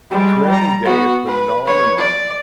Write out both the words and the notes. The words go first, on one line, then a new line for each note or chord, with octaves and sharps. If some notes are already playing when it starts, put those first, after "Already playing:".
Training Day is phenomenal.
G3 G#3
G3 A#5
B3 F#4
B4
B4 C#5
D5